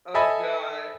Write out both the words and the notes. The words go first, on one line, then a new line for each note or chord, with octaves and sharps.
Oh, god.
A4 D#5 E5 G#5 B5 A6